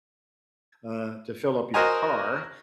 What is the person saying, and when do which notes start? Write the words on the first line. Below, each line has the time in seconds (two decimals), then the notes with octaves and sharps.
uh, to fill up your car,
1.74 F#4 A#4 C5 D#5 G#5 A#5